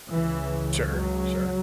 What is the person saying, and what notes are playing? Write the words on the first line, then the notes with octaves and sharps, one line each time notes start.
Sure, sure.
C#2 C#3 E3
F#3